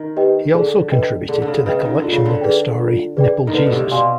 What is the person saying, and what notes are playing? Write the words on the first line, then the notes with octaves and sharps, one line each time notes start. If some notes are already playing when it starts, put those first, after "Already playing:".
He also contributed to the collection with the story "NippleJesus".
Already playing: D#3
G4 B4 D#5 G5
D3 G#4
B4 D#5 G5
D3 G#4
D3
C#3
C#3 B4 D#5 G5
D#3
D3 F4
C#3
D3
G#4 B4 D5 G5
F4
G#4 B4 D5 G5
D#3
D3 B4
B2
C3
B2 D5 F5 G#5 C6